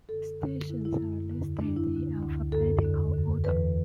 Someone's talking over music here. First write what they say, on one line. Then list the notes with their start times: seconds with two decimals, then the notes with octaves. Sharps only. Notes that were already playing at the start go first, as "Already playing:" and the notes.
Stations are listed in alphabetical order.
0.08 F#2 D3 A4
0.40 F#2 D3
0.69 F#2 D3 E4
0.85 E4
1.00 F#2 D3
1.31 E2 D3
1.61 F#2 D3 D4
1.76 E4
1.91 D2 D3
2.23 D2 D3
2.52 F#2 D3 A4
2.83 E2 D3
3.14 F#2 D3
3.44 E2 E3 B4